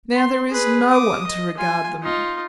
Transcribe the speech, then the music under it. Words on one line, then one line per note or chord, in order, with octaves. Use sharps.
Now there is no one to regard them.
C6
G#4 B4
D6 D#6
D#5
F4 G#5
D#4 F4